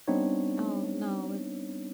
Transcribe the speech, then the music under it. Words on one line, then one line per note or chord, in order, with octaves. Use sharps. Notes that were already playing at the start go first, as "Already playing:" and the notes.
Oh, no, w
G3 B3 C4 D4 D#4 C#5